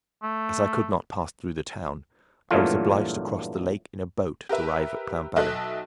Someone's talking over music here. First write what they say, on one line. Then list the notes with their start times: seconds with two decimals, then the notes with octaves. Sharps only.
As I could not pass through the town, I was obliged to cross the lake in a boat to arrive at Plainpalais.
0.23 A3
2.51 E2 G2 A#2 F#3 A3 F4
4.49 G4 A#4 B4 E5
5.36 B1 A4 D#5 E5 A5 F#6